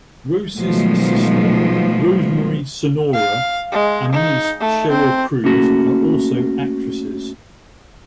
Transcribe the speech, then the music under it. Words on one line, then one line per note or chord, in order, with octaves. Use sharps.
Roces' sister, Rosemarie Sonora, and niece Sheryl Cruz are also actresses.
B2 D#3 F3 F#3 G#3 A3
F5
G#3
D#4
A3
C4
A3 A#3 C#4 F#4